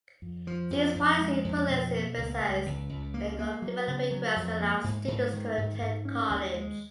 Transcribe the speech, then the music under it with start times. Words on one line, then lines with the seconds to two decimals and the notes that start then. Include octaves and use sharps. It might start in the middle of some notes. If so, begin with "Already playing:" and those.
These policies put less emphasis on developing grants to allow students to attend college.
0.22 F2
0.47 F3
0.71 F2
0.95 F2
1.19 G#3
1.45 F2
1.68 B2
1.93 A#3
2.17 C#2
2.41 C#2
2.66 C#2
2.89 C#2
3.14 A#3
3.39 A#3
3.62 F#3
3.87 C#3
4.11 F#3
4.36 F2
4.60 A#3
4.84 G#2
5.08 G#2
5.33 D#3
5.57 G#2
5.82 G#2
6.05 C#4
6.30 D#2
6.54 G#3